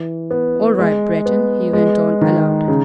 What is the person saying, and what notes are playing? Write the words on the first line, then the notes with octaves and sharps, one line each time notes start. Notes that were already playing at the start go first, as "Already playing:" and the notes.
"All right, Breton," he went on aloud.
Already playing: E3
B3
G#3
B3
G#3
D#3
C#3